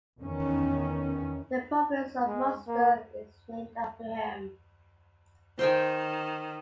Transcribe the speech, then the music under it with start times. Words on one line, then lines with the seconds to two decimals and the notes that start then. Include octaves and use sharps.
The province of Munster is named after him.
0.19 E2 D#3 C#4
2.27 G#3
2.67 A#3
5.59 D#3 C5 G5 G#5